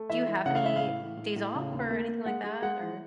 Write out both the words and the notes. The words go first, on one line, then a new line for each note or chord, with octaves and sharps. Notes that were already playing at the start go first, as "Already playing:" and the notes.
do you have any days off or anything like that? Or
Already playing: A3
E3 E5
E3
C#3 F#5
F5
E3 E5
A2 F5
E3
A2
A2
C#3
D#2
A#3
A#3
G#3 F#5
G#3
G#3 F#5
E3